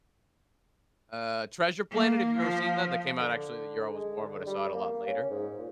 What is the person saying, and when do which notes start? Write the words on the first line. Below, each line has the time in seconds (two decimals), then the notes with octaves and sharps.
Uh, Treasure Planet, have you ever seen that? That came out, actually, the year I was born, but I saw it a lot later.
1.91 A#3
2.39 F3
3.20 D3
3.94 G#3
4.21 D3
4.47 G3
4.74 A#3
5.07 C#4
5.30 G#2
5.58 A#2